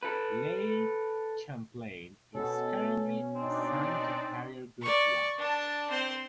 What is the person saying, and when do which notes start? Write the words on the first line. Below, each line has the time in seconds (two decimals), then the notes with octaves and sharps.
"Lake Champlain" is currently assigned to Carrier Group One.
0.03 A4 B4
2.35 B2 C#4 A4
3.35 C4 D4 D#4 D5
4.82 D5 C#6
5.39 D4 A5
5.91 C4 C5